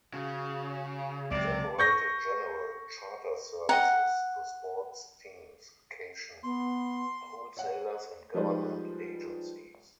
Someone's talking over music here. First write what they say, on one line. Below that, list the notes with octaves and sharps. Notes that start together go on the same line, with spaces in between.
It operated general charter services to sports teams, vacation wholesalers and government agencies.
C#3 F#4
C#2 C3 F#3 D5
C#6 G6 A#6
D#5 F#5 G5 A#5
B3 C6
C#5 F#5
F3 G3 G#3 D#4 B4 C5